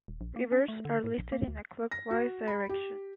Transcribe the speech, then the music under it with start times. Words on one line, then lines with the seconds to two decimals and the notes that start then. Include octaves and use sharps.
Rivers are listed in a clockwise direction.
0.08 D#1
0.21 A#1
0.36 A#3
0.52 C#4
0.68 A3
0.85 D3
1.04 A2
1.18 A#1
1.32 A#3
1.48 D2
1.91 A#6
2.11 F#4
2.47 B5
2.69 G4